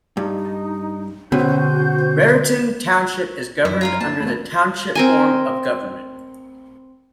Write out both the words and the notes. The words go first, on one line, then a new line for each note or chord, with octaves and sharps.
Raritan Township is governed under the Township form of government.
G2 D#4
B2 D3 C#4 F#4 C5 G6
F#2 E4
F4 A#4 F5
A#3 D#4 E4 A5
E2 A3 B5
C4 A#4 G#5